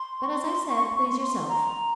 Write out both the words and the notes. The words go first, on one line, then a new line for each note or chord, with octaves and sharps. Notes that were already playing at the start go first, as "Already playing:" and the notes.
But as I said, please yourself.
Already playing: C6
C#6
C6
C#6
C#6
C6
A#5